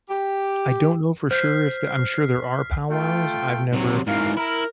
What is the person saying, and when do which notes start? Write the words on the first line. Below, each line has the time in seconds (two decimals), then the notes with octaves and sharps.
I don't know for sure if the I'm sure there are powwows. I've never,
0.08 G4
1.31 C5 F6 G6 B6 C7
2.91 A3 F4 G5
3.73 C3 F#3
4.07 G#2 E3 A#4 F5
4.37 E4 A#4